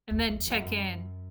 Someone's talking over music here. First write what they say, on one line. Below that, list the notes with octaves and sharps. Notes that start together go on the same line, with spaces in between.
And then check-in.
E2
E2
E2
F#2